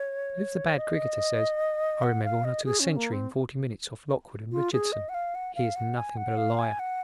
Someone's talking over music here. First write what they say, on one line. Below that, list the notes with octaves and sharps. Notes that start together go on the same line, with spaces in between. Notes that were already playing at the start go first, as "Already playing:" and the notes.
But if the bad cricketer says, "I remember when I took a century in forty minutes off Lockwood and Richardson," he is nothing but a liar.
Already playing: C#5
D#5
F#5
F5
D#5
G#4
C#4
A#3
C4
F4
G#4
D#5
F#5
F5
F#5
F5
F#5
G#5
F#5
F5
G#5
F#5